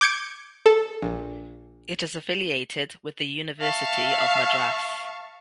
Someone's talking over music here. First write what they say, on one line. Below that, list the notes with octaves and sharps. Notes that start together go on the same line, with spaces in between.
It is affiliated with the University of Madras.
D6 G6 G#6 C#7 D7
A4
A#1
E5 F5 A5 C#6